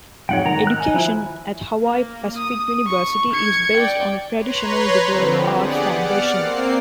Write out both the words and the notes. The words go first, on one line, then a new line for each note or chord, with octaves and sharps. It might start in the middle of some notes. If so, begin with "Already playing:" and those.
Education at Hawaii Pacific University is based on a traditional liberal arts foundation.
F2 G#2 F#3 C#5 F#5 G5
D#3 A#5
F#6
G#5
F3 E4
A#3
D#6
C#6
G#6 C#7
D5 G5
B4 C#5 A#5 C6
D3 F3 C4
B3 G4 G#4 D5 F#5
D5 F#5 F6
A#3 C4 C7